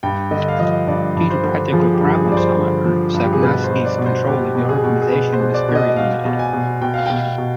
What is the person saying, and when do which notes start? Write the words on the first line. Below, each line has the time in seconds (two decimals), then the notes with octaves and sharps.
Due to practical problems, however, Sosnkowski's control of the organization was very limited.
0.03 G2 G5
0.31 D3 D#5
0.48 F5
0.59 F3 D#5
0.88 G2 D5
1.16 G2
1.30 C5
1.44 D3
1.73 F3 G#4
1.94 G4
2.01 G2
2.15 G#4
2.29 G2 D5
2.37 C5
2.57 D3
2.86 F3
3.14 G2
3.24 G4
3.33 G#4
3.42 B2 B4
3.64 C5
3.71 B2
3.85 D5
3.98 B2
4.06 C5
4.27 B2 G4
4.55 B2
4.69 G#4
4.84 B2
5.02 G#4
5.12 B2 B4
5.33 C5
5.40 B2
5.54 D5
5.68 B2
5.75 D#5
5.96 B2 F5
6.25 B2
6.39 G#5
6.53 B2
6.81 B2 G5
6.94 F5
7.06 B2 G5
7.38 B2